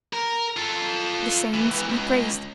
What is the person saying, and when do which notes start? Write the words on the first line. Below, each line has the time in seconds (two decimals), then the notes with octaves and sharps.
The saints be praised!
0.13 A#4
0.57 F4 A4
1.54 C#2 E3
1.89 C#2